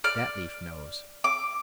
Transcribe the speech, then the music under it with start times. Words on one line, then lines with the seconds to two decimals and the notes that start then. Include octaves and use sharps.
That leaf knows.
0.04 D5 F6
1.24 D6